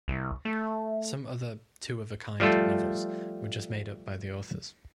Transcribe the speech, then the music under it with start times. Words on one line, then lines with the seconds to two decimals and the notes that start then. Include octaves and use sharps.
Some other "Two of a Kind" novels were just made up by the authors.
0.08 C2
0.45 A3
2.40 F3 G3 A3 F4 A4